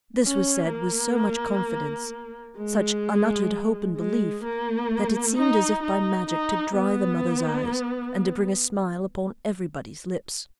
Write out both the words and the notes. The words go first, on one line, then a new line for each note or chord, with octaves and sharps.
This was said with so much confidence, such unuttered hope and belief, that it seemed as if by magic to dry the mother's eyes, and to bring a smile upon everybody's lips.
C#4
A#3
G#3
G#3
A#3
D#4
D#4
D#4
B3